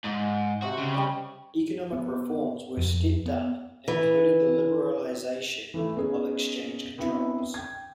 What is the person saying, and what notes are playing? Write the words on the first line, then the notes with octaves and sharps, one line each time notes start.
Economic reforms were stepped up, including the liberalization of exchange controls.
G#2 D#5
C3 F#4 D#5
C#3
G3 D#5
B3
F2
B3
E3
E3 A3 E4
B3 C#4 D#4 G#4
B3 C4 D4 E4
G5 G#6